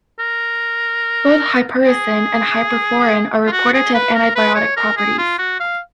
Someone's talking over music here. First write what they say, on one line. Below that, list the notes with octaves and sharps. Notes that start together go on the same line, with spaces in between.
Both hypericin and hyperforin are reported to have antibiotic properties.
A#4
G#4
F4
F#4
G#4
B4
A#4
B4
C#5
A#4
G#4
F4
F#4
F5